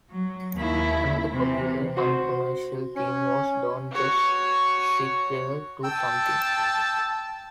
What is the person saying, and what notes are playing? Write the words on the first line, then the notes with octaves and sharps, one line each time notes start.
Another popular uncommercial theme was Don't Just Sit There-Do Something!
F#3
D#2 E4
C3 E3
F#4 C5
C#4
F#4 C#5
G5 A5 E6